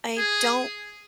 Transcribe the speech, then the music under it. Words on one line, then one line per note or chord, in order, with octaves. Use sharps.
I don't
G#4